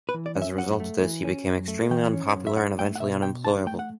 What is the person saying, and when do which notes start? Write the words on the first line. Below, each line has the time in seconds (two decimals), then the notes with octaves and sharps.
As a result of this, he became extremely unpopular and eventually unemployable.
0.09 B4
0.14 E3
0.26 D5
0.36 C#4
0.42 E5
0.58 F#2 F#5
0.80 A3
1.03 E3
1.24 C#4
1.46 F#2
1.68 A3
1.91 E3 G5
2.13 C#4
2.35 F#2
2.47 E5
2.57 D4 F#5
2.79 A3 G5
2.96 F#5
3.00 B2 E5
3.23 B2 G5
3.44 D4 A5
3.67 A3 G5
3.79 F#5